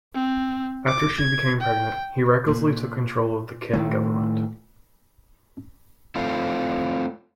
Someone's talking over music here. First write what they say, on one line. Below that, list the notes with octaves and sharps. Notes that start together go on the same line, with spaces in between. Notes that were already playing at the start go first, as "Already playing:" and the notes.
After she became pregnant, he recklessly took control of the Qin government.
C4
D6
G#6
G5
A#2
A2 D#3 A3
A3 C4 E4 F4